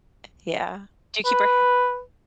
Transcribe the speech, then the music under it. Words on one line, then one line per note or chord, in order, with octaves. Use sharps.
Yeah. Do you keep her hair
B4